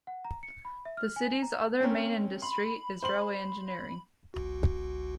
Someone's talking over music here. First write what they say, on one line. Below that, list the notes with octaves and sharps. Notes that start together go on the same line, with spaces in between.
The city's other main industry is railway engineering.
F#5
A#5
C#7
B5
E5
F6
G#5
A#5
C4 C#4 A#4
B5 C6
C5 C6 F#7
G1 C#2 F#4